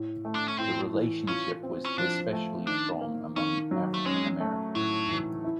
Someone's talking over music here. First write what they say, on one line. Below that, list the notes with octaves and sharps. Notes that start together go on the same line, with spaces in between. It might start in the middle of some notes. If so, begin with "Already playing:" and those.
The relationship was especially strong among African-Americans.
Already playing: A2
A3
D4
C#4
A2 C4
E3
C#4 F4
C4
C#4
F3 D4
A3
D#3 D4
A#3
D#3 C#4
F#3
A3
G#3 C#4
A3
A2 F#3
E3
E4